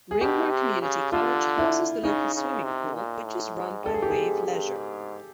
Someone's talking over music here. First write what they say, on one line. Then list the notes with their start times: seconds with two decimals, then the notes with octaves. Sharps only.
Ringmer Community College houses the local swimming pool which is run by Wave Leisure.
0.11 G#4
0.21 B2 G4
0.51 C3
0.82 C#3
1.12 D3 F4
1.58 E4
2.04 C#3 D#4
2.34 C#3
2.64 C3
2.95 A#2
3.25 A2
3.55 G#2
3.86 G2 A4
3.94 G#4
4.02 G4
4.11 G#4
4.16 G#2
4.46 G2
4.77 G#2